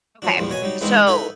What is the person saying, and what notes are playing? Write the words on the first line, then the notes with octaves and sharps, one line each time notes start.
okay. So,
F3 F#3 D4
A#1 E2 F3 G3
B2 C#5 G#5
F#3 G3 D#4
E3 G#3 B3 C4 D4 D#4
D#4 E4 A4 F#5 B5